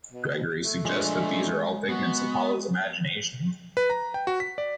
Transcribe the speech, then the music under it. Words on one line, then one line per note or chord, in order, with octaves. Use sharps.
Gregory suggests that these are all figments of Paula's imagination.
B2
A3
F3 G#3 D4
B3 F#4
B4
A#5
G5
F#4
B6
D5